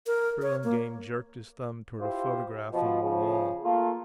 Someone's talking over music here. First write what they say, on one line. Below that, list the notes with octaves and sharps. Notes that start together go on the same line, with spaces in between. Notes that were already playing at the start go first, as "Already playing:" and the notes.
Burlingame jerked his thumb toward a photograph on the wall.
A#4
C#5
A#3
E4 F4 G4 C5
B2 F3
C#3 F3
A3 A#3 F4